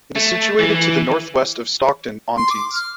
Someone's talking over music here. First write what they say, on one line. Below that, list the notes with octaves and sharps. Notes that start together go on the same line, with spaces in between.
It is situated to the north-west of Stockton-on-Tees.
A3
E3
E3
C6
D6
F6